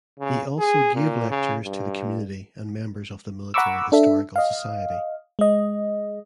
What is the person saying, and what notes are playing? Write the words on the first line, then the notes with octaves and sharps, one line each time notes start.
He also gave lectures to the community and members of the Military Historical Society.
C#3
G#4
A#2
C#3
G2
F#5 A#5 B5 C#6 D6 E6
D4 A4 E5
D#5 F5
G#3 D#5